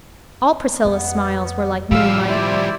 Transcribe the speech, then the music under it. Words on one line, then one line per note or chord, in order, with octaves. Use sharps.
All Priscilla's smiles were like moonlight.
F2 B3
A2 F3 G3 F5 E6
E4 C5 D5